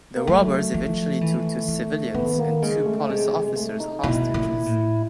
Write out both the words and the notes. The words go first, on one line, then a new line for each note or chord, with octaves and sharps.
The robbers eventually took two civilians and two police officers hostages.
A#3
F#3 A3
F3
E3
E3
D#3 B3
A#3
C#3 G#3
A3
C3 G#3
G#3
G#3
A3
D#4
B2 E4
A#2
A2